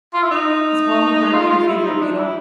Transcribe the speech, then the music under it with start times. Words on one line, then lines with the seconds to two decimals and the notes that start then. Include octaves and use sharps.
Is Paul McCartney your favorite Beatle?
0.14 F4
0.23 E4
0.31 D#4
1.33 F4
1.50 F4
1.67 E4
1.84 D#4
2.01 D4
2.18 E4